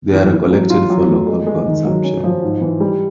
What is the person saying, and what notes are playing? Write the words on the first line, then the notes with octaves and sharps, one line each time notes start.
They are collected for local consumption.
E3
E3
F#3
F4
F#3
A3
G#3
G#3
D#3
F#3
C#4
F3
G#2
E3
G3